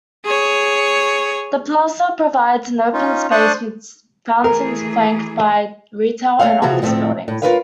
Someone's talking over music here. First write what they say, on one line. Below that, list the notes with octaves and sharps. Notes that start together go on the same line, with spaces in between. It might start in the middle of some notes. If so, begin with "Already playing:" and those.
The plaza provides an open space with fountains flanked by retail and office buildings.
G#4 C#5
C#4 D#4 F4
D4 C5 A5 C#6 D#6 F#6
E3 A3 G#4 A#4
A3 A#3 C#4 F5
C3 E3 F3 F4 F#4 G#4
D2 A2 F3 F#3 A3 C4
A2
F4 F#4 A#4 B4 C#5 F5